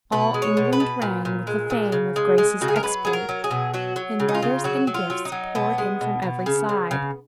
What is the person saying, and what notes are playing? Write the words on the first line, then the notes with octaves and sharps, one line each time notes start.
All England rang with the fame of Grace's exploit, and letters and gifts poured in from every side.
B2 B4
G#3
C#5
B2
B4
B2
A#2
A#2
G#3
A#2
C#3
G#3
G#3
C#3 F#4
G#4
A#4
F#3 B4
F#3 G#4
A#4
F#3
G#4
B2
F#3 F#4
F#3
C#3
D#4
F4
C#3
F#3 F#4
F#3
F4
F#3
D#4
F#3
B2 B3
G#3
B2
B2
C#3
C#3
C#3